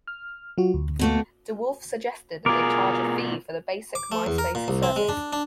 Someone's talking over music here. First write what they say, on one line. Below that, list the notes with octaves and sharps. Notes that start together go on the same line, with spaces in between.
DeWolfe suggested they charge a fee for the basic Myspace service.
F6
F#3 F4 F#4
D2
B2 A3 A#3
B2 F4 G#4 A#4 D6
D6
A3
E2
A#4
A#2
C2
C4
G#3
D4
D4